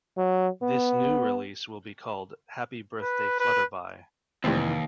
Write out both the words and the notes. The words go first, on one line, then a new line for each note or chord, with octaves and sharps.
This new release will be called "Happy Birthday Flutterby".
F#3
B3
B4
B4
F1 D#2 E3 G3 A3 C4